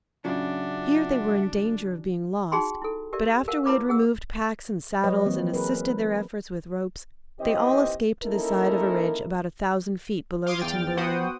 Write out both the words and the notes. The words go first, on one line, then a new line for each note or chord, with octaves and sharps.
Here they were in danger of being lost, but after we had removed packs and saddles and assisted their efforts with ropes, they all escaped to the side of a ridge about a thousand feet below the timberline.
A1 C#3 F#3 C#4 D4 F4 E5 F#5
D#4 F#4 G#4 G5 B5 C6
E4 A4
G4 A#4 D5 E5
A#4 F5 F#5
E4 B4 C#5 B5 D6
G#4 F#5 E6
F#3 B4 C#5 D#5
E3 A#3 C4
G#4 A#4 B4
D#2 E3 C4 G4 D#5
A#3 C#4 D#4 E4 A4 A#4
F5 C6 D6 D#6 G#6
E2 G5 F6 A6
B3 F#4 C5 F#5 G5 D#6